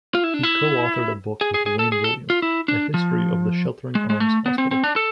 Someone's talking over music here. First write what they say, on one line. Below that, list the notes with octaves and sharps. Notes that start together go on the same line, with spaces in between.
He coauthored a book with Wayne Williams, "A History of the Sheltering Arms Hospital".
F4
E4
D4
E4
G#4
G#4
G#4
A4
G#4
A4
F4
E4
D4
F3
G#3
G#3
A3
B3
C4
C4
D4
A4